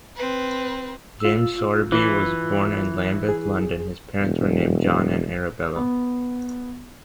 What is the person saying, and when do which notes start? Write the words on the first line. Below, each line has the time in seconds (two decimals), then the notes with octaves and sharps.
James Sowerby was born in Lambeth, London, his parents were named John and Arabella.
0.16 C4 B4
1.20 F4 E6
1.92 E3
3.29 G#4
4.21 E1
5.76 B3